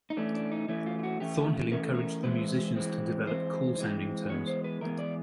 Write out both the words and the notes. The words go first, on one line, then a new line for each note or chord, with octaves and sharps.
Thornhill encouraged the musicians to develop cool-sounding tones.
D#4
E3 A3 C#4 D4
D4
D#4
E3 A3 C#4 E4
F4
F4
F#4
E3 A3 C#4 G4
E3 A3 C#4 A#4
A4
A#4
E3 G#3 C4 B4
E3 G#3 C4
E3 G#3 C4 C5
E3 G#3 C4
E3 G#3 B3 C#5
C5
B4
E3 G#3 B3 A#4
D5